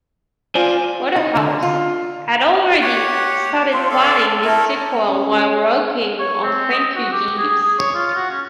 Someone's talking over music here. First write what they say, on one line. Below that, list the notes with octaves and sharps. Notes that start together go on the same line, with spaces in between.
Wodehouse had already started planning this sequel while working on "Thank You, Jeeves".
F4 C5 D5 G#5
D#4
D3
F4
G4 C#5 F#5
C4 F4
A4 D5 F5
A3 E4 A4 A#4
C#4
C#5
C4
D#5
F#4
G4
G#4
G#4
C#5
F4
F#4
C#4